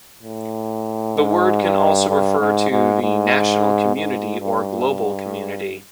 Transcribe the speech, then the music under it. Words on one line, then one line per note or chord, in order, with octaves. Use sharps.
The word can also refer to the national community or global community.
A2
G#2
G2
G2
G#2
G#2
G#2
G#2
G2